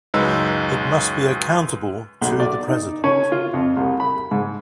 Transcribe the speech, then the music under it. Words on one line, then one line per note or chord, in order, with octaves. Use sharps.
It must be accountable to the President.
C#2 F#2 G#3 D#4 B4 E6
B1
D5
D#4
C#4
F4
F2
C2
B5
G#2